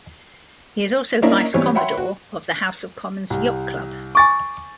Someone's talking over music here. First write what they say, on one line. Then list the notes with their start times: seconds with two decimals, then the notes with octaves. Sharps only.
He is also Vice-Commodore of the House of Commons Yacht Club.
1.22 A#3 C#4 D4 E4 A#4 D#5
1.54 E3 G3 B3 C4 G4 C#5
1.75 C#5 E5 F#5 G5 B5 C6
1.98 F#4
3.30 C2
4.15 G#5 C#6 D6 A6